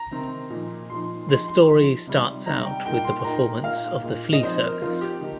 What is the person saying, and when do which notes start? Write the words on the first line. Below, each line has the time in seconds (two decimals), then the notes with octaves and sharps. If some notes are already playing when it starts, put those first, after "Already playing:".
The story starts out with the performance of the flea circus.
Already playing: A#5
0.11 C3 D#3 C4
0.50 A#2 F3 D#4
0.90 A#2 F3 D#4 C6
1.29 F3 D#4 C6
1.48 C6
1.67 F3 D#4
2.07 C3 G3 D#4
2.46 C3 G3 D#4 A#5
2.66 G5
2.86 A#2 A#3 D#4 G5
3.05 C6
3.20 G5
3.24 A#2 A#3 D#4 A#5
3.64 A#2 A#3 D#4 F5
4.03 A#2 A#3 D#4
4.33 D#5
4.43 F3 C4 D#4 C5
4.62 A#4
4.82 F3 C4 D#4 F4
5.01 G4
5.21 D#3 A#3 D#4